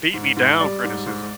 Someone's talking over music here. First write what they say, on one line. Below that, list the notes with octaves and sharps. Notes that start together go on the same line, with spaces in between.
beat-me-down criticism.
G#2
G#2
G3 D5
G#2
G#2